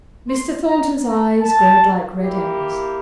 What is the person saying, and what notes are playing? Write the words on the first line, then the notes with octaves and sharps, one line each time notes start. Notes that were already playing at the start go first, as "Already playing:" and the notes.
Mr. Thornton's eyes glowed like red embers.
C6
A#5
A#5
A5
A#3 E4 G4